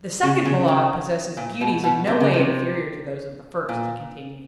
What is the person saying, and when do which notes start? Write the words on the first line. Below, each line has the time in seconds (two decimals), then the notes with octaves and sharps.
"The second Ballade possesses beauties in no way inferior to those of the first," he continues.
0.23 C#3
0.45 C#3
0.68 C#3
1.37 A#2
1.61 B2
1.84 B2
2.07 C3
2.20 C#3
2.33 C3
3.69 A#2